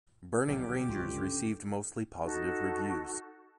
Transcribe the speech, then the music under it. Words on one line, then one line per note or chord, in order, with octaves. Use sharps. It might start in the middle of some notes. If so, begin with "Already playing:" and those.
"Burning Rangers" received mostly positive reviews.
D#1 B1 D3 G4
G1 C#2 F#2 F4 C6 C#6
C#4 D4 A4
D#4 F#4 A4